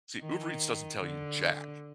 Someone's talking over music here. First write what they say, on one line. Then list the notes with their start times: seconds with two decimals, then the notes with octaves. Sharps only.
See, Uber Eats doesn't tell you jack.
0.20 D#3
1.00 D3